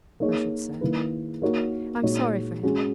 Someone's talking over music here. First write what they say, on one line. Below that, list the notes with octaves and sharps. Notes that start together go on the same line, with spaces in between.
I should say. I am sorry for him.
A#3 D#4 G#4 C#5
D#3 A#3 E4 B4
A#3 D#4 F#4 A#4 C#5
A#2 G#3 D#4 F#4 C#5
G#3 C#4 F#4